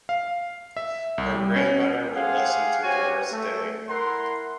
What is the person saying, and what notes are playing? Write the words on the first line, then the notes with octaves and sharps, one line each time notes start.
Her grandmother would listen to Doris Day.
F5
E5
C2
G3
C#4
G4 G#4 C5 F5 F#5
C#4 F#4 G4 C5 C#5 G#5
A3
E4 A#4 F#5 C6